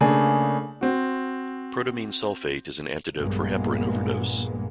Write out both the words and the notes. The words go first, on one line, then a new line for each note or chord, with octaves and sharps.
Protamine sulfate is an antidote for heparin overdose.
C#3 A3 A#3 D4 G#4
C4 F#4
A#1 G2 A#2 G#3 A#3 B3